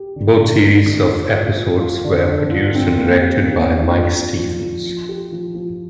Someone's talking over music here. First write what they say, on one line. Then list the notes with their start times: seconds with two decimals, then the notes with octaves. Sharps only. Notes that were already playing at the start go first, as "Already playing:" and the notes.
Both series of episodes were produced and directed by Mike Stephens.
Already playing: G4
0.16 D3
0.40 D3
0.63 A#4
0.87 D3
1.11 F4
1.33 F4
1.57 F4
1.80 F4
2.05 D3
2.28 D3
2.51 F4
2.75 C4
2.97 A#3
3.22 G4
3.44 A#3
3.68 D4
3.91 F4
4.14 F4
4.38 F3
4.62 F3
4.84 F3
5.09 G4
5.32 F3
5.55 F3